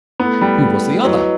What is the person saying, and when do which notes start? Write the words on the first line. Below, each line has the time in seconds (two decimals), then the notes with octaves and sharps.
Who was the other?
0.20 A3 B3 E4 A4
0.41 G3
1.04 F#3 E4 B4 D#5